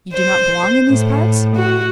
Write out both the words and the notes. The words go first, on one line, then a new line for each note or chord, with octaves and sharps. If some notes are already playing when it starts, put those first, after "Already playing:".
"You do not belong in these parts?"
C5
A2
F#4